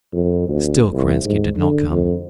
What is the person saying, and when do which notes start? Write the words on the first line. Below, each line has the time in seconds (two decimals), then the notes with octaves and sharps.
Still Kerensky did not come...
0.13 F2
0.48 D2
0.94 C2
1.25 G#2
1.56 D3
1.90 F2